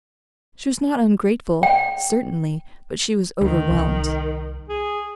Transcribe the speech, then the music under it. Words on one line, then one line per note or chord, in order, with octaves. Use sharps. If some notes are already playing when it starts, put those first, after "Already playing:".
She was not ungrateful, certainly, but she was overwhelmed.
G5
D2 D#3
C2
G#4